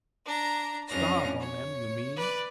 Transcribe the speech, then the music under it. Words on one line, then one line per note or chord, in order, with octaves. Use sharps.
"Starve on them, you mean?"
D4 A#5
F2 C#4 D4 F6 A#6
C#5
B4 D5